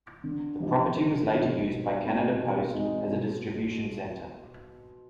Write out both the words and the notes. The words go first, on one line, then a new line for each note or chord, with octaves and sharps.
The property was later used by Canada Post as a distribution centre.
D3
F3 A#3 D#4 G4
D3
F3 A#3 D#4 G4
B2
G#3 C4 D#4
B2
G#3 C4 D#4
B2